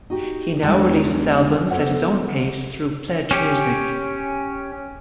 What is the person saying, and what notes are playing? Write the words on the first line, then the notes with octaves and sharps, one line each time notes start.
He now releases albums at his own pace through PledgeMusic.
D#4 F#4 G4
E2 A2 D3 G3 G#3 G5
B3 A4 B4 C5 F#5
C#4 G4